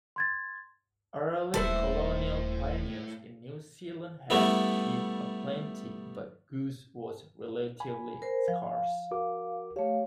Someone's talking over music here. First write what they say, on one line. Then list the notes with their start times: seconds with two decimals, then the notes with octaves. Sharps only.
Early colonial pioneers in New Zealand had sheep aplenty, but goose was relatively scarce.
0.16 C6 G#6 A6
1.54 D#1 A2 A4 B4 C5 E5
4.30 G3 A3 B3 E4
7.80 G#5 B5
8.22 A#4 C5
8.48 F3 F5
9.11 F#4 A#4 D6
9.76 A3 G4 C#5 F5